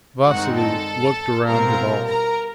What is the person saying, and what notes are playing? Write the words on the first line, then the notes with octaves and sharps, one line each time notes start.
Vasily looked around at all.
G2 D#3 G#3 C4 D#4 F#4 F#5
A4 A5
B2 G3 C4 F4 A#4 A#5
A#4 A#5